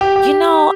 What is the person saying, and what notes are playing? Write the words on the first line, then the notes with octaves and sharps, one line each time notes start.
you know,
G4
G4